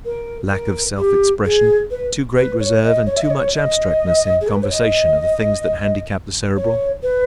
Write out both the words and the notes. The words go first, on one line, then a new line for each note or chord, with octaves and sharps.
Lack of self-expression, too great reserve and too much abstractness in conversation are the things that handicap the Cerebral.
A#4
A#4
G4
G#4
B4
B4
C#5
D#5
C#5
E5
D#5
C#5
D#5
G#4
A#4
B4
C#5
D#5
C#5
B4